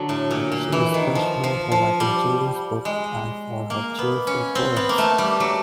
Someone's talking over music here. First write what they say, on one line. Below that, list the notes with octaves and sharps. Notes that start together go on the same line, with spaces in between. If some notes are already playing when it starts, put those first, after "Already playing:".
She is best known for writing children's books, and for her cheerful poems.
Already playing: D3 F#3
A2
A#2
A#2
E3
D#3
F3
F3
F3
G3
G#3
A#3
B3
C#4
C4
B3
A#3
A3
G3
F#3